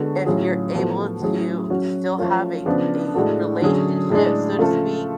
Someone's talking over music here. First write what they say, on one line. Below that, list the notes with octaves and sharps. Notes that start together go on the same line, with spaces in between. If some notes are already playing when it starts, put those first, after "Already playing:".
if you're able to still have a a relationship, so to speak,
Already playing: D3 G#3 B3 F#4 A4
A2 F#3 C#4 F4 G#4
A2 F3 B3 F#4 A4
A2 F#3 C#4 G#4
F#3 C#4 F#4
F3 A3 C#4 F4 A4
C#3 F3 B3 D4
A2 G#3 D4 F#4 A4
D3 F#3 C#4 G#4
A2 G#3 D4 G#4
C#3 F3 A3 F4 A4